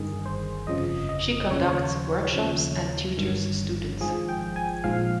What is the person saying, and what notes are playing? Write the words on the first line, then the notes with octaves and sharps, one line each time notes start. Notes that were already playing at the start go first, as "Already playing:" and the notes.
She conducts workshops and tutors students.
Already playing: G1 G2 D#3 G#4
C5
G1 F2 C#3 F3 D#5
D#5
D#2 C#3 F3 C#5
C5
C#5
D#2 C#3 F3
G1 G2 D#3
G#1 G#2 F3 G#4
G5
G#5
A#1 G#2 F3 F5